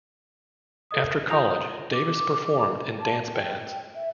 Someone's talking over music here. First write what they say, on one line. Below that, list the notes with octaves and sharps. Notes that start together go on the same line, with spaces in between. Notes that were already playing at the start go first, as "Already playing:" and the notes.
After college, Davis performed in dance bands.
A4 D#5 D#6
A#4
F4 A#5 D#6 G6 A#6 F7
D6
A5
G5
E5